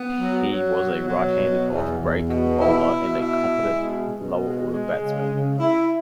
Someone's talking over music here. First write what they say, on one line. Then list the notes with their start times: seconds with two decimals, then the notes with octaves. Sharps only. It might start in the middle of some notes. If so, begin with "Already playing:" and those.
He was a right-handed offbreak bowler and a competent lower-order batsman.
Already playing: B3
0.17 F#3
0.48 F#3
0.77 B2
1.08 F#3
1.38 B2
1.68 E2
1.98 E2
2.28 B2
2.58 E4
2.88 B2
3.19 E4
3.48 G#3
3.78 B2
4.09 B2
4.39 G#3
4.70 G#3
4.99 C#3
5.29 C#3
5.60 E4